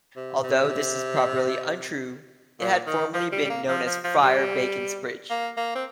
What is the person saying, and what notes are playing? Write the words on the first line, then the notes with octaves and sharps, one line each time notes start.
Although this is probably untrue, it had formerly been known as "Friar Bacon's Bridge".
C3
C3
A#2
D#3
F3
G3
G3
A#3
F3
F3
F3
G3
A#3
A#3
C4